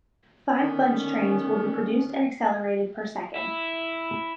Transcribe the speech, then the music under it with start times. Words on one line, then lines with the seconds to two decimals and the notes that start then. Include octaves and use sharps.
Five bunch trains will be produced and accelerated per second.
0.60 D3 D#3 B3 C#4
3.36 E4